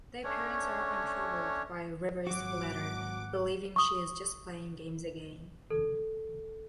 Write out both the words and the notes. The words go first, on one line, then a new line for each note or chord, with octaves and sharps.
Their parents are untroubled by River's letter, believing she is just playing games again.
A3 C#4 D4 C#5
G#1 F#3 F#4 F#5 D6
C#6 D#6
A4